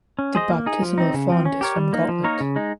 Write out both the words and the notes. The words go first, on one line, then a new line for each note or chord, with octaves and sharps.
The baptismal font is from Gotland.
C#4
G#4 C5 D#5
A#3
D#4 G#4
F3
C4 D#4
C#3
F3 C4
C#4
G4 A#4 C#5
G3
A#3 D#4
F3
A#3 D#4 A#4 C#5
C#3
G#3 D#4